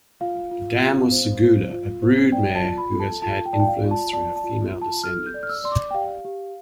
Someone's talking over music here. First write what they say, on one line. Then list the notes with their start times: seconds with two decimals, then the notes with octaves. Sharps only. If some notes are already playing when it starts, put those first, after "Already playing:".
The dam was Segula, a broodmare who has had influence through her female descendants.
0.21 F4 F5
0.51 F4
0.81 F4
1.12 C5
1.42 C5
1.72 F4
2.02 C5
2.32 D5 G5
2.55 A5
2.62 F4
2.78 B5
2.93 A4
3.00 A5
3.22 F4 A5
3.45 G5
3.53 D5 A5
3.60 G5
3.68 F5
3.84 F4
3.91 A5
4.13 D5 A5
4.36 A5
4.44 F4
4.73 F4
4.82 A5
5.04 A4 F6
5.26 G6
5.34 D5
5.43 F6
5.49 E6
5.64 D5 C6
5.72 D6
5.91 G5
5.94 G4 F5
6.25 G4